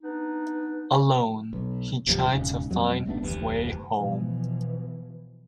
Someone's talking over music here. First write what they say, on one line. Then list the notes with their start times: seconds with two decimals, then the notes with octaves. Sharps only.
Alone, he tried to find his way home.
0.03 B3 D4 D#4
1.53 B1
2.07 D#1 A1 F3 G3
2.31 E1 G#2 C#3
2.70 F2 F#3 G#3 C4
3.06 G1 A3 B3 D4
3.23 F1 D2 G2 E3
3.97 B2 E3 F3